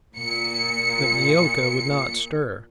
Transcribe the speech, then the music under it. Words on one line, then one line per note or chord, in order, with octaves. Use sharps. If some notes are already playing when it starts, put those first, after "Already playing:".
But Neeoka would not stir.
A#2 C#7